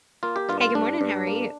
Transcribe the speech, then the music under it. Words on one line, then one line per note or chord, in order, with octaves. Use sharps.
Hey, good morning, how are you?
A#3 F4
G4
G2 F4
F4
G2 D4
G2
A#3